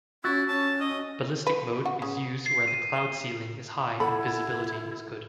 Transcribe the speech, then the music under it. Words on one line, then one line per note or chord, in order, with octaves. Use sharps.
Ballistic mode is used where the cloud ceiling is high and visibility is good.
C#4 E4 F#4 E6 F#6 A6
C#4 A5
D#5
B4
F#4
C#3
C7
D#7
G7
E4 A4 F#5 B5